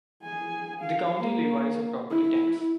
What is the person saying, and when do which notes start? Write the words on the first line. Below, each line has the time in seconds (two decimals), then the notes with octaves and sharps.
The County levies a property tax.
0.23 G#4 G#5
0.81 F5
1.19 A#3
2.10 E4